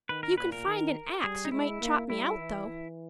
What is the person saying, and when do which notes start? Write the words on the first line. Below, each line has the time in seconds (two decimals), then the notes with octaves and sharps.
If you can find an axe you might chop me out, though.
0.09 D#3 B4
0.23 A#4
0.38 A#2 B4
0.52 A#4
0.66 D#3
1.23 G3 G#4
1.45 D#4
1.52 G#3 E4
1.81 A#3
2.09 G3 E4
2.38 E3
2.67 E3